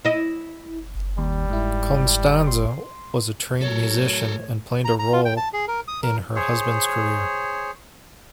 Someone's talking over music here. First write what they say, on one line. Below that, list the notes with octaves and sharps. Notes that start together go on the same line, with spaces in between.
Constanze was a trained musician and played a role in her husband's career.
E4 D#5
D#2 G3
G#2 E4
C6
A2 F#3 A4 A#4 C#5
A#5
A#5
F4
G5
A5
G#4
A#4
D#6
A#4
G#4 C5 C#5